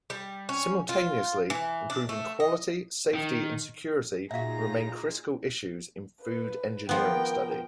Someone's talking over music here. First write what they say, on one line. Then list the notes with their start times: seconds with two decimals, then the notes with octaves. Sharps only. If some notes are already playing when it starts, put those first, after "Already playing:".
Simultaneously, improving quality, safety, and security remain critical issues in food engineering study.
0.10 G3
0.49 C#4
0.89 F4
1.50 E3
1.90 D4
2.09 A3
2.40 D#5
3.15 D#3
4.31 A#2 D#4 F4 F#4 G#4 E5 F5 A#5
6.21 B4
6.89 F3 B3 A#4 G5